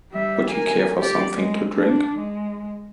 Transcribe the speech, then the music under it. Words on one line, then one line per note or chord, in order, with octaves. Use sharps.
Would you care for something to drink?
G3 E5
A#4 G#5
G4 D5
G#3
D4
G#3